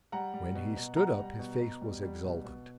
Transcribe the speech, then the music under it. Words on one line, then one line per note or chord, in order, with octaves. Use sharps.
When he stood up his face was exultant.
G3 F#5 A#5
G3
B2
B2
G3 F#5 A#5
G3
B2
B2
G3
G3
B2
B2